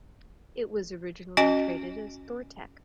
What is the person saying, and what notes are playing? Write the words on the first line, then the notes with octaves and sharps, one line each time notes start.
It was originally traded as Thortec.
C#4 F#4 D#5 G#5